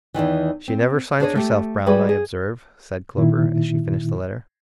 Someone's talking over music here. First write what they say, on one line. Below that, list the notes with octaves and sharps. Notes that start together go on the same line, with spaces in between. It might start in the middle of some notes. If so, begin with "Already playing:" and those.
"She never signs herself Browne, I observe," said Clover, as she finished the letter.
E2 G#2 D#3 E3
C4
D4 G#4 A#4 C5 C#5 D#5
A3 G4
G3 F#4 G#4 B4
G#4
A#2 D#3 E4